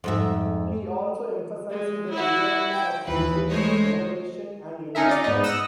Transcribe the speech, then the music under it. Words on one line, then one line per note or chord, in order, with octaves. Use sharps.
He also emphasized the importance of "fatigue", "enervation" and "ennui".
F2 G#2 E5
G#3
E4 F#4
G5
D#2 E3 B4
G#3 A3 C5 C#5 D#5
C#4 D#4 G#4 A#4 E5
F4 D5
G#2 B3 D#4
D#5 F#5 E6 A#6